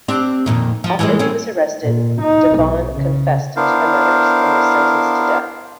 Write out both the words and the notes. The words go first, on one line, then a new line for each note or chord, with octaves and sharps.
After he was arrested, DeVaughan confessed to the murders and was sentenced to death.
C4 D4 G4
F2 A#2 D#3
F3
E3 G3 G#3
C4 C#4
A#2
D#4
B1
C#3
B3 D4 E4 A#4 C5 F5